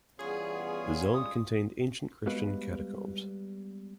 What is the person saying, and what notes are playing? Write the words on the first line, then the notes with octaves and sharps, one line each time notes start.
The zone contained ancient Christian catacombs.
E3 G3 B3 C#4 F4 G#4 C#5
G3 G#3 D#6
G3 G#3 B3 F#4 B4 F5